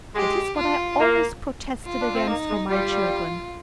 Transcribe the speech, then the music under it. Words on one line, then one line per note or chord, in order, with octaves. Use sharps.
It is what I always protested against for my children.
G#3 G4
F4
A#3
F4
D4
C4
A#3 D#4
G#3
G3 F4